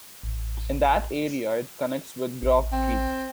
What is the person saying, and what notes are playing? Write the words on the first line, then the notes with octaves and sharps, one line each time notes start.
In that area, it connects with Groff Creek.
A1
A1
C4